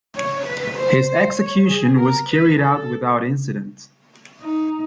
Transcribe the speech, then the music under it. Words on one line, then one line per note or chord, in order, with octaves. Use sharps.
His execution was carried out without incident.
C#5
B4
C5
C5
C#5
G#4
A#4
B4
A4
D#4